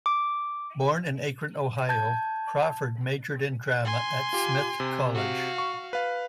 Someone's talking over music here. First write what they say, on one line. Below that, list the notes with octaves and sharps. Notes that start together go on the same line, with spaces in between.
Born in Akron, Ohio, Crawford majored in drama at Smith College.
D6
A5 G6 G#6
G#5 C6
F4 G4
C3
F#4 F5
C#6
B4 F5